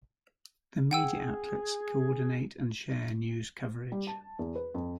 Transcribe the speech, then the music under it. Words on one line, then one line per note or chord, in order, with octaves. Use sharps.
The media outlets coordinate and share news coverage.
G#4 F#5 G5 E6
G3
A5
E2
B4
F2